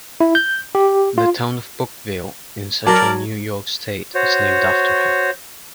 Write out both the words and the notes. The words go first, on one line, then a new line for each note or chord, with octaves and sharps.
The town of Bouckville, in central New York state, is named after him.
E4
G6
G4
F4
F#3 A#4 D5 A5
F#4 C5 C#5